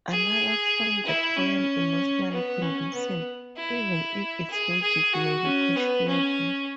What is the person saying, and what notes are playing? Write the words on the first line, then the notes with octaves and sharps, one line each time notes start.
Another found the poem "emotionally convincing" even if its logic may be questionable.
G#4
E4
C#4
B3
C#4
B3
E4
G#4
G#4
F#4
C#4
B3
C#4